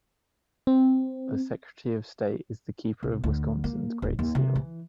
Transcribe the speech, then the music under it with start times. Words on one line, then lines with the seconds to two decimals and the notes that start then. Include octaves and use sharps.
The Secretary of State is the keeper of Wisconsin's great seal.
0.67 C4
3.03 C2
3.24 D2
3.64 A#3
4.02 D#1
4.19 D#2
4.35 C3
4.55 E3